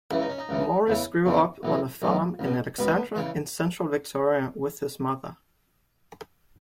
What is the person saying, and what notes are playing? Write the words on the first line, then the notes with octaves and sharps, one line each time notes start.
Morris grew up on a farm in Alexandra in central Victoria with his mother.
C#2 C#3 E3 E4
D#4
C#4
D#4
C#2 C#3 E3
E2 C#3 E3
E2 C#3 E3
B1 A2 E3
B1 A2 E3
C#2
B2
C#2 B2 B3
C#3 E3